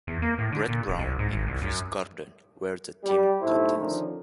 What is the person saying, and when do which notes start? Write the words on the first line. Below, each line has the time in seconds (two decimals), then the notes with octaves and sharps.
Brett Brown and Chris Gordon were the team captains.
0.07 E2
0.22 A#3
0.38 A2
0.52 D3
0.69 A#2
0.88 E1
0.99 C2
1.19 G#2
1.33 G#1
1.47 C2
1.62 F#2
3.04 G3
3.41 B1 A2 A3 E4 G4 C5
3.77 D3 D#3 F3 C#4 D#4